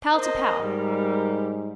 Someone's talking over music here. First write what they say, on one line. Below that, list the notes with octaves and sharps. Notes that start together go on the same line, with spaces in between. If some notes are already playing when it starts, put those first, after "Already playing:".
Pal to pal.
A#4 C5 D#5
G#2 G3